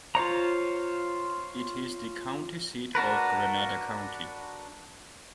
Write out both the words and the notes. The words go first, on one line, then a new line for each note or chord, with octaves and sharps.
It is the county seat of Grenada County.
F4 C5 C#5 A#5
D4 F#4 A#4 B4